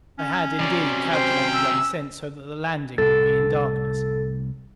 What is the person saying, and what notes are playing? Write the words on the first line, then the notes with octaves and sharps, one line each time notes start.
I had, indeed, calculated our descent so that the landing would be in darkness.
C#4
C3 F#3 D5
C5 G5
E6
C2 A2 C3 A4 A6